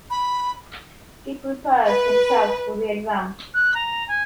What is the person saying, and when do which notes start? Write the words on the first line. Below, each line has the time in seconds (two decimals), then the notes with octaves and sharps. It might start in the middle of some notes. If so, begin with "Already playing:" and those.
He prepares himself for the exam.
0.10 B5
1.87 B4
3.54 F#6
3.74 A#5
4.08 G#5